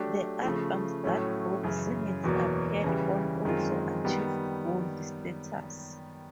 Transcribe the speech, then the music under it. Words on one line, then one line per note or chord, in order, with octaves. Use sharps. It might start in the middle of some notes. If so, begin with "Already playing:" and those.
The albums that both singles appeared on also achieved Gold status.
Already playing: F#3 A3 D4 G4
C#3 F3 A3
A2 F#3 A3 C#4
F#2 C#3 E3
E2 B2 F#3 A#3
C#3 E3 G3
F#2 D#3 G#3 C4 F4
D#3 G3 B3